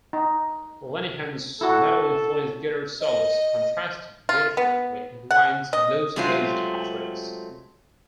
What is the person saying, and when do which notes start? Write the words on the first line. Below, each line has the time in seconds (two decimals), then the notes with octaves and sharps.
Lenihan's metal-influenced guitar solos contrasted beautifully with Wynn's blues-based offerings.
0.13 D#4
1.61 E4 F#4 A4
3.01 D#5
4.29 F4
4.57 B3
5.31 F#5
5.73 D#5
6.16 C3 F#3 G#3 A3 C4 F4